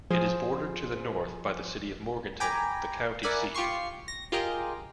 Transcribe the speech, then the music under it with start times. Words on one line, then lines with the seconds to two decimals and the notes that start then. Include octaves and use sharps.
It is bordered to the north by the city of Morganton, the county seat.
0.10 F3 G#4 C5
2.40 G5 G#5 A#5 B5 D6
3.23 A#4 D5 E5 F#5 G#5 B5
3.54 F4 G4 C6 C#6 C7
4.08 A#6
4.32 F4 G4 G#4 A#4 D#5 G5